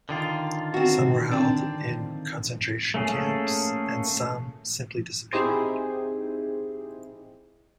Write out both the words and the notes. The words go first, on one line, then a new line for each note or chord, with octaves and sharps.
Some were held in concentration camps and some simply disappeared.
D3 D#3 F4
C4 F#4
C4 D4
A3 A#3 C#4 G#4 A4
C4 D#4 E4 G4 G#4 C5